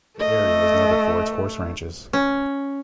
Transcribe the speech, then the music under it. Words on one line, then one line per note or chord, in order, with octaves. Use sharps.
The area was noted for its horse ranches.
A3 D#5
C#4